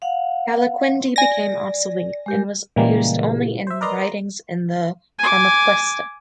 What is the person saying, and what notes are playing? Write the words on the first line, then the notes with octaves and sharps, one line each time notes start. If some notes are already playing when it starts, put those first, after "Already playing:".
"Calaquendi" became obsolete, and was used only in writings in the Parmaquesta.
F5 F#5
D5 G#5 A#6
G#3 G4 A#4
A#2 C#3 E3 G3 G#3 A#3
C5 E5
A#4 B4 D5 D#5 A#5 C6
G#5 D6